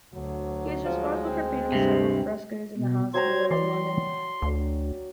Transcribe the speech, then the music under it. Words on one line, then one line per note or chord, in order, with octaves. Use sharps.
He was responsible for painting several frescos in the House of Lords in London.
D2 F#3
D2 F3 G#3
C4
G2 C3 G4
B2
F#3 C5 G5 A#5 G#6
E3 D5 C6
D2